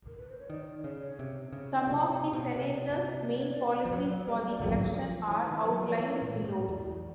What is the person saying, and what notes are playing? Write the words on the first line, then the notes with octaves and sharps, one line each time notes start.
Some of the senator's main policies for the election are outlined below.
A#4
B4
C5
C#5
D#3 D5
D5
C#3 C#5
C#5
C3
C#3
D#5
C3 D5
C3 C#5
C#5
B2 C5
D5
C3 C#5
D5
D5
D#5
D5
C#5
D5
F3
F#3 C#5
D5
D5
G3 D#5
D5
F#3
F3
E3 C#5
C5
D#3 B4
C5
F#3
F3
D5
E3 C#5
A#2
A2
E2 D5